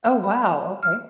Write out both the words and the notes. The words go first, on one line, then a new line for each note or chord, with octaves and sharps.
Oh, wow, okay.
B5
F6